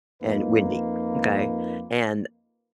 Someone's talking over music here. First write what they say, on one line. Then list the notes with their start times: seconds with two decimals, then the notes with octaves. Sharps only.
and windy. Okay? And,
0.22 F2 A#3 D#4 F4 B4